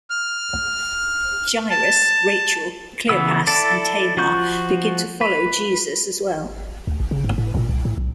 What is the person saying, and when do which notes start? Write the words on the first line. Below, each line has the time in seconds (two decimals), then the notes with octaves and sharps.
Jairus, Rachel, Cleopas, and Tamar begin to follow Jesus' as well.
0.10 F6
1.70 A5
3.09 C#3 E3 B3 E6
3.47 E4 A4 D5 A5
4.17 F3 F4 F#4 C#6 G6
5.21 B4
6.87 D2
7.00 A#1
7.11 C#3
7.24 G#2
7.38 A2
7.57 A#2
7.69 C2
7.85 A2
7.98 B1